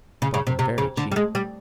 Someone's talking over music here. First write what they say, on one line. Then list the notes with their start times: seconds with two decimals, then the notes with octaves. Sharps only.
I bought them very cheap.
0.22 C#3
0.34 C#3
0.47 C3
0.59 C3
0.78 C#3
0.97 D3
1.12 G3
1.16 G#3
1.35 G3